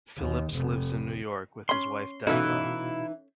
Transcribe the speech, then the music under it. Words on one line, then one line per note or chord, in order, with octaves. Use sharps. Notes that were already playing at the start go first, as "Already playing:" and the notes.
Phillips lives in New York with his wife Debra.
D#2
F1
C#4 B5 C6
B2 E3 C#4 D#4 E4 F#4 A4 F5